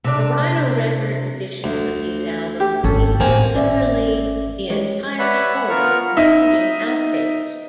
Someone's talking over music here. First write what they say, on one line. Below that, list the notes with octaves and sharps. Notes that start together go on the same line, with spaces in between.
The Rhino Records editions of these albums featured literally the entire scores, including outtakes.
C3 D4
D2
G4
G#1 C#4 A4
A1 A#3 C4 G#5
G#1 C#4 D5 E5
G#3 G4 C#5
B4 C#5 D5 E5 F#5 B5
B3 F4 A#4 C#6 F6
D#4 E5